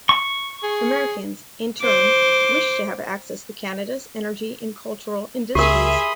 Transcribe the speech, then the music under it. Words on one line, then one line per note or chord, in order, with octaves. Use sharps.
Americans, in turn, wished to have access to Canada's energy and cultural industries.
C#6
G#4
C5 D6
C#2 G4 G#4 A#4 E5 B5 C6 D#6